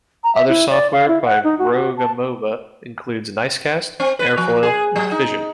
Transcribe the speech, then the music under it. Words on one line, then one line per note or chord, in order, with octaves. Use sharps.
Other software by Rogue Amoeba includes Nicecast, Airfoil, and Fission.
A#5
E5
E4
D5
F5
E4
F#5
D#4
F#4
F#4
A5
C4
B4
F3
G#4
F#3
D#4